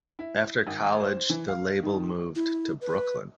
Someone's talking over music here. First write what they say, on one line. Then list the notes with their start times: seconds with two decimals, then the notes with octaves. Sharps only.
After college the label moved to Brooklyn.
0.19 E4
0.67 G#1
1.00 C5
1.30 E3
1.48 F5
1.83 D#3
2.36 E4
2.81 B4